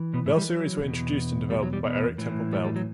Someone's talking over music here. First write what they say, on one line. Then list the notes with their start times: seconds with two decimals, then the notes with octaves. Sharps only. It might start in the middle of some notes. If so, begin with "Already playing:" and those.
Bell series were introduced and developed by Eric Temple Bell.
Already playing: E3
0.13 B2 B3
0.26 A2 A3
0.37 G3
0.49 F#3
0.83 E2 B2
1.50 G3
1.63 F#3
1.73 G3
1.84 B2 B3
2.18 A2 E3
2.53 G3
2.64 G3
2.76 F#3